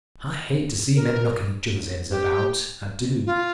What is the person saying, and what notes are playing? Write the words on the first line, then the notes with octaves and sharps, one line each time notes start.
I hate to see men knocking each other's heads about,--I do.
A#4
G4
F4